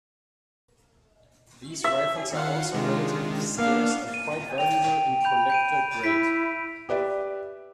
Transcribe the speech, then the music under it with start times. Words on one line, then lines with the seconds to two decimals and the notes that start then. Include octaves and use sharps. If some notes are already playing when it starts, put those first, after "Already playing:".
These rifles are also relatively scarce, and quite valuable in collector grade.
1.84 E5
2.34 D#3 F5 F#5
2.74 C3 D#3 G#3 D4 F4
3.59 A#3 B3 D4 F5
4.14 D#7
4.58 G5 F7
5.24 B5 G6 F7
5.50 G6 D7 D#7
6.03 E4 B6 D7
6.89 G4 B4 D5 E5